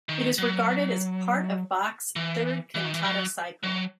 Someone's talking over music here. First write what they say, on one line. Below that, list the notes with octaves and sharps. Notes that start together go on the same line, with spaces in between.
It is regarded as part of Bach's third cantata cycle.
D#3
F#3
E3
E3
D#3
E3
F#3
F#3